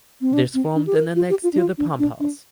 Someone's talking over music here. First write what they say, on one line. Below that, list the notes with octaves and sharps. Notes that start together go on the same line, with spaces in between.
This formed an annexe to the pump house.
C4
D4
C4
D4
G4
A#4
F4
G4
F4
D4
F4
D4
D4
D4